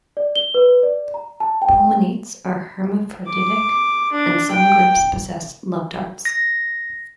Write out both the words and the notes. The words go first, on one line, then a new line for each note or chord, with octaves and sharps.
Pulmonates are hermaphroditic, and some groups possess love darts.
D5
G7
B4
D5
A#5
A5
G5
D6
D4
G5
A#6